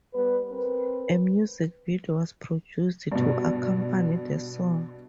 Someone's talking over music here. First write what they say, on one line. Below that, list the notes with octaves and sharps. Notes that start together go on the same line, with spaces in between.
A music video was produced to accompany the song.
G3 B3 B4
C4 A#4 B4
G2 B2